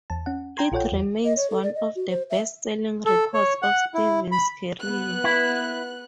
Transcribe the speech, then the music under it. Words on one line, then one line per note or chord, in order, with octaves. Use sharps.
It remains one of the best selling records of Stevens' career.
E2 A5
C#4 F#5
G5 A#5 C6 G#6
A#1 F4 A4 C#5 F#5 G5
E2
D#5
C#5
A4
D5
D#5
F#4
C5
E5
A4
C#5
F#5
E4
B5
B3 F#6
E4